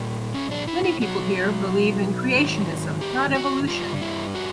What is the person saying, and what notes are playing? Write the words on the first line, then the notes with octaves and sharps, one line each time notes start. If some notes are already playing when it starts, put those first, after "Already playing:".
Many people here believe in creationism, not evolution.
Already playing: A#2 G3
C#4
D4
E4
E4
B2 F#3 F#4
G#2 D#3 F#3
G4
F#4
G2 D#3 G3 F4
E4
F#4